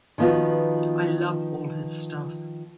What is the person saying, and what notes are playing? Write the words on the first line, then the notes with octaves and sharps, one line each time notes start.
I love all his stuff.
D#3 F3 B3 F4 F#4